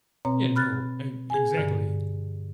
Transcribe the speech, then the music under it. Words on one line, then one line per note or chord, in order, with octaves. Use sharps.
Yeah, no, e exactly.
B2 C4 C#5 A#5
B5 F6 F#6 A6
G#4 G#5
G2 D3